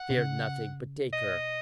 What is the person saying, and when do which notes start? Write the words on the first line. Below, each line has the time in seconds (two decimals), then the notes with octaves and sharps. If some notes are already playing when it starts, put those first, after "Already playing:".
'Fear nothing, but take her.'
Already playing: F#5
0.10 B2
0.17 C#3
1.13 B2 D#5